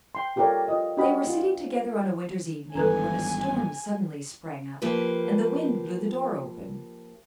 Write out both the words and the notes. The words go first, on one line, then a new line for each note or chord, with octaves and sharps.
They were sitting together on a winter's evening, when a storm suddenly sprang up, and the wind blew the door open.
G5 C6
F4 G4 A4 A#4 C#5 D5
F4 D#5
D4 F#4 G4 D#5 B5
F4
G#1 E2 G2 A4 B4 G#5 A#5
F3 A#3 G4 B4